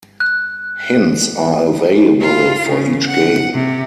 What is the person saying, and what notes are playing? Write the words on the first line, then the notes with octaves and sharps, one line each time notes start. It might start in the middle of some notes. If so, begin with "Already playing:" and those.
Hints are available for each game.
F#6
F4
C#3
F#5
C3